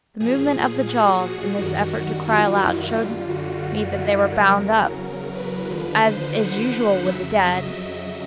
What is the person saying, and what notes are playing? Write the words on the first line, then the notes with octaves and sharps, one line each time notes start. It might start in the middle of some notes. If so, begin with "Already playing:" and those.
The movement of the jaws, in this effort to cry aloud, showed me that they were bound up, as is usual with the dead.
A#2 F3 G#4
F#4
F#2 D#3 G3
F#4
F4
E4
F#2 D3 G3 F4
F#4
F#4
E4
E2 C#3 F#3 A#4
B4
D#2 D3 F3
C5
F#5
F2 C#3 F#3 E5
D#5
E5